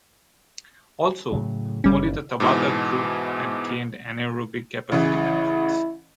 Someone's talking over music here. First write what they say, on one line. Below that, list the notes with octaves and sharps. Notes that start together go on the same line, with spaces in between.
Also, only the Tabata group had gained anaerobic capacity benefits.
A2 C#3 F#3
G1 A#2 G3 C#4
G#2 B2 E3
A1 C#3 E3 E4